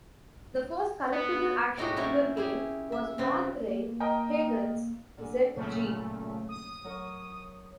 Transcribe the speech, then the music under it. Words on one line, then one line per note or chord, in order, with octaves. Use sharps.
The first collectible action figure game was Mark Rein-Hagen's Z-G.
B3
A2 G#3 D#4 F#4 G4 G5
A#2 F#3 C#4 E4 G5 A5
E4 G4 G#4
E5
C#3 G3 C4 B4
A#3
A#4 D#5 G5
A#2 D3 G#5
A#2 C#3 F#3 A3
D#6
F#3 A#4 C#5